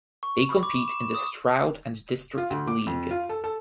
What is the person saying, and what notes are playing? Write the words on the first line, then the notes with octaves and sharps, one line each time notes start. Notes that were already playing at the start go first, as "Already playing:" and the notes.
They compete in the Stroud and District League.
C#6
B5
D6
E7
D#6
F4
D2
D6
F2
F4
A4
A4